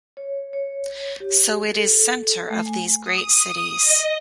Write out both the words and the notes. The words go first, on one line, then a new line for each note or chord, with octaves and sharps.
So it is center of these great cities.
C#5
C#5
G4
A4
A3
G#5
D#6
D#6
D#5